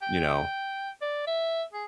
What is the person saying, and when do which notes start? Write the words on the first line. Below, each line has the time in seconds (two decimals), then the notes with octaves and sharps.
you know,
0.02 G5
1.02 D5
1.27 E5
1.73 G#4